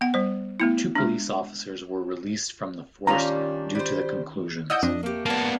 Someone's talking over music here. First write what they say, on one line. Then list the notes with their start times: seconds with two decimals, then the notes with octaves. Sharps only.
Two police officers were released from the force due to the conclusions.
0.01 B3 F#5
0.14 G3 C5
0.60 A3 B3 E4
0.95 G#3 D4
3.07 D#3 G3 A#3 C#4 D4 F4 A#5
3.75 G3 C5
4.70 E4 D5 D#5 F#5 D#6 E6 G6
4.83 F2 D4 D#5
5.03 A3 A#3 G4
5.26 A#3 B3 D4 F5 A5